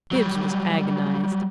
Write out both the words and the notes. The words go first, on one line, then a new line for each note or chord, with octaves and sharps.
Bibbs was agonized.
F#3 G3